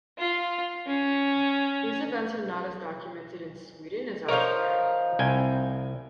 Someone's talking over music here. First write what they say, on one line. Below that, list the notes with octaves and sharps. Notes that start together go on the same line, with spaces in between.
These events are not as documented in Sweden as elsewhere.
F4
C#4
F3 D#4 A#4 C#5 F5
C2 G5 G#5